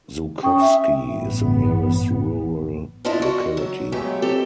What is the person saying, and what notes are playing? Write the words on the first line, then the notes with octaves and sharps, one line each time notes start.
Zhukovsky is the nearest rural locality.
C#4 G5 C#6 D#6
E5
A1 G2 B3
D4 E4 F4 A4 D5 D#5
F#4
F#3
F#3 G#3 A3 B3 G4
C4 G4 A4